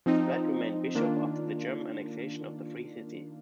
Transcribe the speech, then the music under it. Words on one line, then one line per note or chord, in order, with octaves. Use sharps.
Splett remained bishop after the German annexation of the Free City.
F3 C4 D#4
D#3 A#3 D4 F4